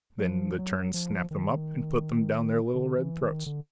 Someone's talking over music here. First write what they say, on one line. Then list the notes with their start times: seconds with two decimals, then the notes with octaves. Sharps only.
Then the terns snap them up, and put them down their little red throats.
0.18 F#3
0.23 F3
0.58 F#3
0.94 F3
1.31 D#3
2.75 D3
2.98 E3
3.22 D#3
3.46 D3